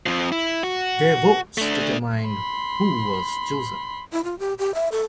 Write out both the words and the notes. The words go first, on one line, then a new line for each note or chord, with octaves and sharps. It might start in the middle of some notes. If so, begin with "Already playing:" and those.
Their votes determined who was chosen.
F2 F3
E4
F#4
A3 D4
B5 C6
E4
F4
G4
G4
E5
A4